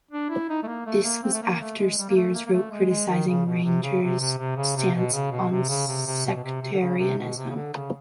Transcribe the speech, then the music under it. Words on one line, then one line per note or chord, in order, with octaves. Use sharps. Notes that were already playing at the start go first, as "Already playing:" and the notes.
This was after Spiers wrote criticising Rangers stance on sectarianism.
D4
E4
D#4
A3
A#3
A3
A#3
C4
A3
A#3
A3
G#3
G3
A#3
A3
A#3
A#3
A3
G#3
G#3
D#3
C#3
B2
C3
C#3
C3
C3
C3
C#3
C3
B2
C#3
B2
C3
C#3
C3
C3
B2
B2
C3
C3
D3
C#3
C3
B2
C3
C#3
D3
C#3